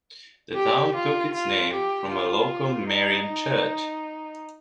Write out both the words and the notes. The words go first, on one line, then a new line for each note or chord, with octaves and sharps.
The town took its name from a local Marian church.
G4
F4
F4
G4
F4
D#4